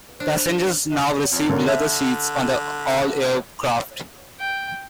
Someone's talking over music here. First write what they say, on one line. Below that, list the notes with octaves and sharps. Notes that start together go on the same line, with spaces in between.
Passengers now receive leather seats on all aircraft.
D4 C5
F2
D3 A#3 C#4
D3 E5
G5